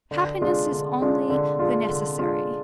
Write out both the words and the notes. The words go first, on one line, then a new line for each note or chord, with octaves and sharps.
Happiness is only the necessary.
D3
G#3 D4 F4
D3
G#3 D4 F4
D3
G#3 D4 F4
D3
G#3 D4 F4